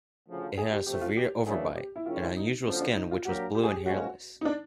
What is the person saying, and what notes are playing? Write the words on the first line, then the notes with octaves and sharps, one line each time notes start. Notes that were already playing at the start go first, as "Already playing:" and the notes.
It had a severe overbite and unusual skin which was blue and hairless.
D2 C#3 F3
G#4
G4
C3 F3 A3 G4
F4
G4
F#2 C#3 E3 A3 D4 G#4
G4
E4
D#3 G#3 C#4 F4
E4
D#4
D2 D3 F3 C#4
D4
D#4
F4
F#3 A#3 D4 F#4 G4 A#4
G4
G#4
G4
A#2 F3 G#3 C#4 F#4
D#4
D4